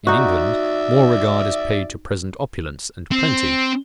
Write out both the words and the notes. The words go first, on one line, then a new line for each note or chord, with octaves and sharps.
In England, more regard is paid to present opulence and plenty.
D#4 F#4 D5 E5
C4